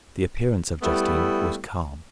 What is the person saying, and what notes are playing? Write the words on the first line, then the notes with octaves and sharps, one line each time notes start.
The appearance of Justine was calm.
G3 A3 B3 E4